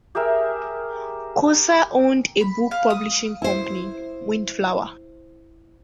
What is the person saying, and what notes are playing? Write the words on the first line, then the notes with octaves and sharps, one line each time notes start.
Kooser owned a book publishing company, Windflower.
G4 G#4 A#4 E5
B5
F5
D#6
E4 C5